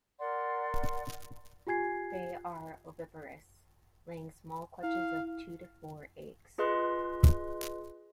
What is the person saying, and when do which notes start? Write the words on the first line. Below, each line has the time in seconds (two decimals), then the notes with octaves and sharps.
They are oviparous, laying small clutches of two to four eggs.
0.20 A#4 D5 F#5 C6
1.67 F4 G4 G#5 G#6 C7
4.83 E4 F5
6.58 F4 G#4 B4 D#5 C6 F#6